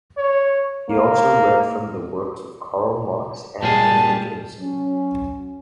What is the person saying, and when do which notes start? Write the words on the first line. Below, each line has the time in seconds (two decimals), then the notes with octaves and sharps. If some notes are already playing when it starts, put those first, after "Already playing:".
He also read from the works of Karl Marx and Henrik Ibsen.
0.17 C#5
0.89 A#3
3.63 A#2 G3 G#3 A#3 G#4 A5
4.60 F#3 C#4